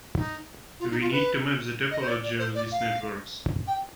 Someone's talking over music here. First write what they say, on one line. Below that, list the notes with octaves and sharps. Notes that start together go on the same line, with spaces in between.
We need to map the topology of these networks.
D#4
F4
D#4
F4
B4
D#5
C5
D5
D5
C5
D5
F5
G5